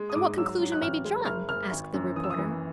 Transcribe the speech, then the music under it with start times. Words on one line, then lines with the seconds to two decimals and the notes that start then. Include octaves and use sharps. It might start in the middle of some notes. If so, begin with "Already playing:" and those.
"Then what conclusion may be drawn?" asked the reporter.
Already playing: G#3
0.10 D#6
0.15 G#2 D6
0.38 F#3 E6
0.60 F#3
0.72 F#6
0.82 A1 F6
1.05 G#3
1.26 F#1 F6
1.49 F#1 F6
1.71 G#1
1.94 F#2
2.16 E3 D#6
2.24 E6
2.31 D#6
2.38 E3